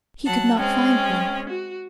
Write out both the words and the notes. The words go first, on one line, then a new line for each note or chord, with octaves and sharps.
He could not find one.
F#3 F#5 A5
G#3 C4 C#4 G5
F#4